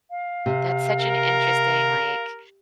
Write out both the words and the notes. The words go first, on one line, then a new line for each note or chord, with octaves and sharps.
that's such an interesting, like
F5
C3
A#4